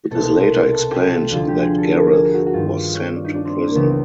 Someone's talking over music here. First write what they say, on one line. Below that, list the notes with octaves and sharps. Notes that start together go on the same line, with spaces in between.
It is later explained that Gareth was sent to prison.
C2 B2 A4
A#4
A4
G4
F4
D2 D3 F3 F4
G4
G#4
A4
A#4
G#4
F#4
F#4
G2 D#3 F4
C#4
D4
D#4
D4
C4
A#3
C#2 C#3 E3 B3